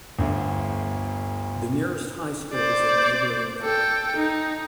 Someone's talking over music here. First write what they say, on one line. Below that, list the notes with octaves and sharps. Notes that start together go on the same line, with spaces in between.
The nearest high school is in neighbouring Miller.
G1 D2
C5 D5
A4 G5
D#4